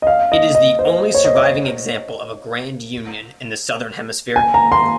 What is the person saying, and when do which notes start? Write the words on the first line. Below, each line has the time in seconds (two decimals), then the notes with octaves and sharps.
It is the only surviving example of a grand union in the southern hemisphere.
0.02 D#5
0.07 F5
0.32 D#5
0.55 D#5
0.79 C5
1.15 C#5
1.25 D#5
1.35 C#5
4.36 G#5
4.54 A#5
4.72 C6